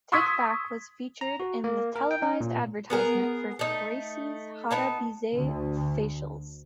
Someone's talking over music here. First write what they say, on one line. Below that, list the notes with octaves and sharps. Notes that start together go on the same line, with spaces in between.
"Take Back" was featured in the televised advertisement for Kracie's Hada-bisei facials.
C6 C#6 D#6 E6 G#6 B6
A#5
F#4
A#3
A#4
G5
C#4
A#2
B3 G#4 A#4
A3 D#4
B3 D#4 A5
D2